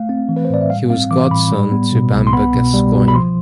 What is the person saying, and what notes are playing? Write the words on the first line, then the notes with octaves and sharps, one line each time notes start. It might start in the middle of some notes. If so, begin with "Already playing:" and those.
He was godson to Bamber Gascoyne.
Already playing: A3 F5
C4
E3
B4
C5
A2 D5
E5
G3 F5
C4 F5
E3 D6
A2 B5
G3
B3
B2
C2
C6
B3 B5
B2
G3
B2
B5
F3 C6